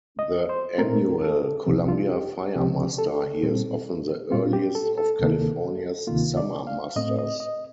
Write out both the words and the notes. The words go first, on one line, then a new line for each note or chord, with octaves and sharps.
The annual Columbia Fire Muster here is often the earliest of California's summer musters.
D#5
C5
A#2 A3 C4 A#4
A4
C2 C3 F3 C4
F4
G4
C2 C3 F3 C4 G4
A4
A#2 G3 C4
A#2 G3 C4 F4
G4
A4
A4
D2 C3 D#3 A#3
D2 C3 D#3 A#3 F4
D5
F5
A2 A3 C4 D#5
D#5
D#5